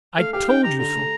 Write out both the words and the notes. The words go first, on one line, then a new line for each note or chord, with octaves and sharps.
I told you so.
A3 F5
G4 F5
D#4 G5
G4 A#5
D3 A#5
A3